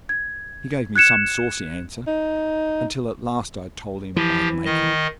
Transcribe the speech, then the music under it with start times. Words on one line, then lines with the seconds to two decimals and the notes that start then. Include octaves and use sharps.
He gave me some saucy answer, until at last I told him I'd make him.
0.09 G#6
0.96 F#6 G#6 C#7 E7
2.07 D#4
4.17 E3 F3 G4
4.65 D#3 D#5